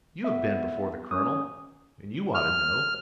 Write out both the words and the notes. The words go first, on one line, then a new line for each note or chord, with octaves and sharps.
You have been before the colonel, and you ought to know.
B3 E5
C#4 D#6
F6